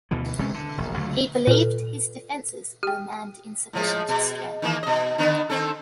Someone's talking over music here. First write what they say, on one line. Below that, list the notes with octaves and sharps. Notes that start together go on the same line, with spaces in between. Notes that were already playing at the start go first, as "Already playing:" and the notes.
He believed his defenses were manned in sufficient strength.
D2 B2 D3 E3
E1 C3 G#3 C#4
D3
E1 A#1
C#2 D3 F#3 A3
A#2 A4 B4
G4 G5 F6
A2 F3 G#3
B2
D#3 E3 A#3
B2 D#5
D3 D#3 B3
D#3 C4 A4